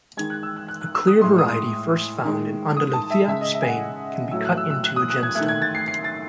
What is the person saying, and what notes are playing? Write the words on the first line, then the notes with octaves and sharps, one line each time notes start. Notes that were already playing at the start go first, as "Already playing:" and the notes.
A clear variety first found in Andalusia, Spain can be cut into a gemstone.
D#3 G#3 G#6
F#6
E6
F#6
F#6
F#6
E6
D#6
A2 G#3 C6
D#6
D#3 G#3
D#6
A5
E5
C#3 G#3 E5
D#5
E5
G#5
F#5
A2 F#3 A3 E6
F#6
E6
E6
F#6
D#6
F#6
G#6
D#3 A3 F#6
G#6
A6
C7
C7
A6